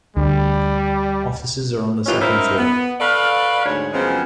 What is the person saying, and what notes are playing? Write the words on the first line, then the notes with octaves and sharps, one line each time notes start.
Offices are on the second floor.
D2 G3
A#2 E3 C#4 D#4 F4 G4
F#2 D#4 E4 A#4 C5 E5
B3
A4 B4 C#5 D5 F5
D2 G#2 A3 D4 C#5
F#2 C#3 F3 G#3 B3 C4